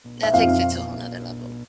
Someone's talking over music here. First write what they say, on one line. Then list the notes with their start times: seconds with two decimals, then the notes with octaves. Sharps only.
That takes it to a whole 'nother level.
0.23 E5
0.34 F2 F5